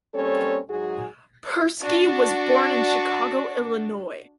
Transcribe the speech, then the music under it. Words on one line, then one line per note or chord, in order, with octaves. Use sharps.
Persky was born in Chicago, Illinois.
G3 A#3 C4 C#4 A4 C#5
G#2 F#3 F#4 G#4
D4 F#4